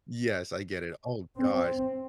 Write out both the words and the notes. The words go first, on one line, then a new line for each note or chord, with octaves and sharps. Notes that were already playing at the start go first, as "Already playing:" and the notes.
Yes, I get it. Oh gosh.
C4